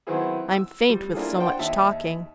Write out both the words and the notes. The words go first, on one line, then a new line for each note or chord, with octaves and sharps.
I'm faint with so much talking.
D#3 F#3 B3 C4 E4 G#4
E6
G3
A#3 D4 E4 F4 G#4 A4
D4 C5 F#5 G5
D#2 D#4 E5 A5